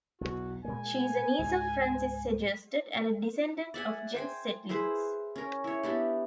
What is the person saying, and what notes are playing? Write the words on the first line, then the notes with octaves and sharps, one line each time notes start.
She is a niece of Francis Sejersted and a descendant of Jens Zetlitz.
B1 E2 F#4
A#2 G#3 A#3 G#5
C#2 G#2
D5 E5 F#5 G#5
C5 G5 G#5
E4 G#4 B4 C5
C#4 A#4
E4 C#5
B3 D4 E4 G4